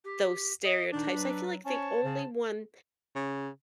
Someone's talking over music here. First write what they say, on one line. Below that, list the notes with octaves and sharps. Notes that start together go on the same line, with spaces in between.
those stereotypes. I feel like the only one
G4
D#5
F2 A#2 D#3 D4 D#4
F#3 B4
C#4 C5 C#5 A5
C#3 G#4
C#3